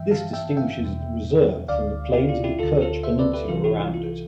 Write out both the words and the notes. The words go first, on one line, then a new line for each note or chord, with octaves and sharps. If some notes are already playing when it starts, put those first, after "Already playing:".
This distinguishes the reserve from the plains of the Kerch Peninsula around it.
Already playing: G2 E3 E5 G5
F5 A5
E5 G5
E5 G5
E2
B2
D2 D3 D5 F5
E4 G4
F4
E4 G4
D2 D3 F4 A4
F4 A4
C5 E5
B4 D5
G4 B4
C2 C3 E3 F4 A4
E4 G4
E4 G4
F4